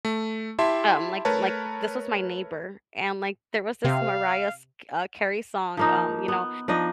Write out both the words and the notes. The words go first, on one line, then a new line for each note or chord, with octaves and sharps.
um, like like, this was my neighbor, and, like, there was this Mariah s uh, Carey song, um, you know,
A3
E4 G4 E5 A5 C6
A3 A#4 B4 C#5 A5
C3 F5
F3 A#3 D#4
B3
F3 D4 D#4 D#5